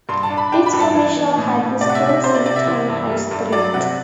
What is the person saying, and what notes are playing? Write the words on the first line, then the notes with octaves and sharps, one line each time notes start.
Its commercial heart is Kensington High Street.
G2 C6
A5
D4
B5
D4 G5
B5
G2
A5
E3
B3
A2
A2
C3 D5
F#5
E5
C3
E5
C3 C5
D5
C3 D5
E5
E3
G2
G3
G2
F#3 D5
C3 F#5